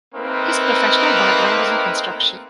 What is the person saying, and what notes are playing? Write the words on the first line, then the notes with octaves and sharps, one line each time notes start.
His professional background is in construction.
A3 A#3 C4 D#4 A#4 B4